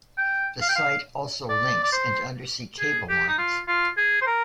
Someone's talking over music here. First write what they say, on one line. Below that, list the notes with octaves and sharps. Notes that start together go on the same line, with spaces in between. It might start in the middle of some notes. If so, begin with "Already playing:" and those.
The site also links into undersea cable lines.
G5
F5
G5
F5
D5
D5
C5
G#4
G4
D#4
F4
F4
G#4
C5
A#4